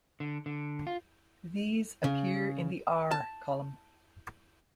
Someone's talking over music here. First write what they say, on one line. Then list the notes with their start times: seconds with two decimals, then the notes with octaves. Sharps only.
These appear in the 'r' column.
0.20 D3
0.46 D3
0.87 F4
2.04 C#3
3.11 A5